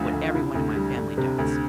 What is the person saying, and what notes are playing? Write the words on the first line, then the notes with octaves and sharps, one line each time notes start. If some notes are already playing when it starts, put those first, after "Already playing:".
What every one in my family does.
Already playing: D2 D3 F3 A3
D2
F4
C3 E4
D2
G3
D2
C3
D2